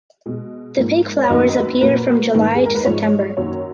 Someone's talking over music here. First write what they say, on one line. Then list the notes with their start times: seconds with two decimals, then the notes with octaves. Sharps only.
The pink flowers appear from July to September.
0.26 B2 G#3
0.77 G#2 F3 A#3
1.24 C#5
1.29 F#2 D#3 F#3 A#3 D#5
1.56 B4
1.81 A#2 F#3 A#3 B4
2.34 G#2 D#3 A#3
2.55 G#4
2.66 A#4
2.75 B4
2.85 G#2 F3 G#3 C#5
3.37 F#2 D#3 F#3 A#3 C#5